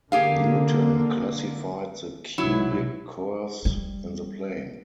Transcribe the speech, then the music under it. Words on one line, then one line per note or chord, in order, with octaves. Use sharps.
Newton classified the cubic curves in the plane.
D3 A#3 G4 G#4 F5
C2 B2 F#3 E4
G3